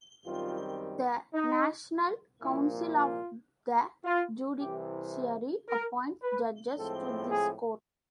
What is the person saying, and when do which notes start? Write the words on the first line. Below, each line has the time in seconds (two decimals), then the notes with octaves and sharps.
The National Council of the Judiciary appoints judges to this court.
0.24 F#2 D#3 G3 C4 F4
1.33 D#4
2.42 C2 A#2 F3 A#3 E4
2.96 F4
4.05 F4
4.59 C2 C3 E3 G4
5.68 A#4
6.22 B4
6.77 A2 F3 G#3 C4 A4
7.31 G#4